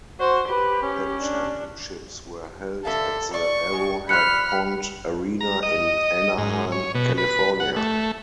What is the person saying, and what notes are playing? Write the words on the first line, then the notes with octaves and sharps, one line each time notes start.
The Championships were held at the Arrowhead Pond arena in Anaheim, California.
F#4 C5
G4 B4
C#4
D4
D3 A4 E5 F5
D5 C#6
G#3
G3 F4 C5 B5 F6 F#6 C#7
A#5
D#5
G#2
C#5
B2
B4
F#5
A3